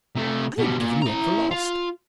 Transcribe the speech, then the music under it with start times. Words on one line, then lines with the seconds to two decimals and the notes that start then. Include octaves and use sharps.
I had given you up for lost.
0.16 C3 A3
0.58 B2 G3
0.79 A#2
1.02 E4 A#5
1.51 F4